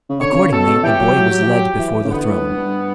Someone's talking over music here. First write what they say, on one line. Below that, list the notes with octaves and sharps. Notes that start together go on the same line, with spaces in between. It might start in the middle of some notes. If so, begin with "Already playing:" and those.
Accordingly, the boy was led before the throne.
C#3
D3 C#5
B2
C#3
B2 A4
B2
E3 G4
F#3
F#3
F#3
E3
F#3
E3
C#3
D3 B3
A2
G2
G2